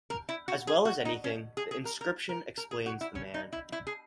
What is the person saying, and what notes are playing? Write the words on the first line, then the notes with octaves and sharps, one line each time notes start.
As well as anything, the inscription explains the man.
A#4
E4
F#4
G#4
F#4
D#4
C#4
G#4
G#4
A#4
A#4
A#4
A#4
G#4
F#4
E4
C#4
D#4
E4
E4
G#4